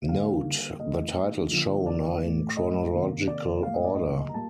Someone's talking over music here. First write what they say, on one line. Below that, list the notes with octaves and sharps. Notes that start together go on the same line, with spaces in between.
Note: The titles shown are in chronological order.
D3 G3 A#3 F5
A#2 A3 D#5
D3 F3 A#3
D5
A2 A3
D#5
C3 D#3 A#3
D5
A2 G3 A#3 F5
D#5
D5
D#5
A#5
A#2 G3 A#3 A5